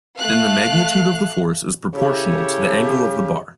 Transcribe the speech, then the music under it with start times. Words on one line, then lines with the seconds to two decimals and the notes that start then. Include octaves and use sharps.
Then the magnitude of the force is proportional to the angle of the bar.
0.16 A3 F5 F#6
1.95 C#3 E4 G4 A4 C#5